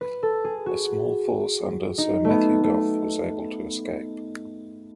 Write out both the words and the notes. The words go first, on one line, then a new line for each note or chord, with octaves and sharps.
A small force under Sir Matthew Gough was able to escape.
B4
A4
G#4
F#4
D#4
A3
B3
A3